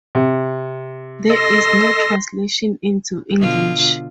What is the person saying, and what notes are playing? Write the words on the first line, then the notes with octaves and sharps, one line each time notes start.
There is no translation into English.
C3
A4 D#5 C6 A#6
B2 D3 F4